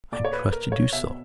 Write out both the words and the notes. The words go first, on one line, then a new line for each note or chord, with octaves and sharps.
I trusted you so.
A#2 D5
C#5
B4
A#4
C#5
B2 E5